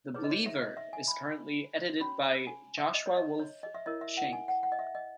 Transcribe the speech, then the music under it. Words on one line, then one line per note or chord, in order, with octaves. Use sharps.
"The Believer" is currently edited by Joshua Wolf Shenk.
D#4 G#4 B4 C#5
D#5
C#5
E5
D#5
E5
G#5
B5
C#4 F#4 C#5 B5
G#5
E5
D#5
C#5
D#5
C#5
D#5
E5
E4 A#4 C#5 D#5
E5
F#5
G#5
F#5
F#5
D#5
E5
D#5